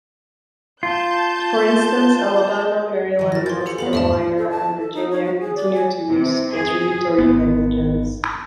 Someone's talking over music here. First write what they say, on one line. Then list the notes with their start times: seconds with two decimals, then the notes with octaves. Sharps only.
For instance, Alabama, Maryland, North Carolina, and Virginia continue to use contributory negligence.
0.83 F4 A5 G6
3.19 D#3 F3
3.32 E4 A#4 A6 A#6
3.46 E3 C6 G6 A6
3.66 G4 A4 C#7
3.78 B3 F4 A4 F5 A#5 B5 F#7
3.93 E2 G#2 A3 D4 D5 E5 A5
4.38 A4
4.50 A5
4.79 A4
4.93 D#4
5.11 C#5
5.25 F#4
5.40 G#4
5.55 D5
5.74 G#5
6.09 C3
6.52 G#4
7.19 G#1 B3